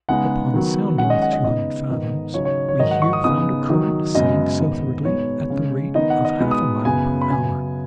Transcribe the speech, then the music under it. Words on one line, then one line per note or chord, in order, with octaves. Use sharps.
Upon sounding with two hundred fathoms, we here found a current setting southwardly at the rate of half a mile per hour.
C#3 G#3 B3 D#4 F#5
D#3 F#3 B3
D#3 G#3 C#4 F#5
D#5
F#5
D#5
C#3 B3 D#4 D#5
G#2 D#3 B3 D#4
C#3 F#3 D#4 C#5
C#5
C#5
G#2 D#3 F#3 D#5
F#5
C#6
D#6
C#3 B3 D#4 D#6
D#3 F#3 D#4
F#2 C#3 G#3 B3 D#5
G#2 D#3 B3
B2 G#3 B3 D#4 C#5
C#3 G#3 C#4
D#3 B3 D#4 D#5
F#5
D#5
B2 G#3 B3 D#4
D#6
F#2 C#3 B3 G#5
B5
F#2 C#3 B3 G#5